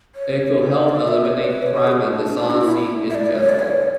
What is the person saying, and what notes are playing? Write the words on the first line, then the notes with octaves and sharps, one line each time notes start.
It could help eliminate crime and dishonesty in general.
C#5
E5
D5
E5
C#5
B4
D5
C#5
G#4
F#4
D4
D4
F#4
E4
E5
D5
C#5
D5
C#5